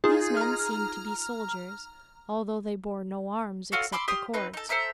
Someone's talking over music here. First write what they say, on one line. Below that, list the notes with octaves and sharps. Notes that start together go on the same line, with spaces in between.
These men seemed to be soldiers, although they bore no arms except the cords.
D#4 F4 G#4
A#5 F6
F4 F#4 A4 C#5
B5 C6 D6 E6
G4 C6 D#6 F6
C4 D#4 B4
D#4 A4
A4 C5 E5 A#5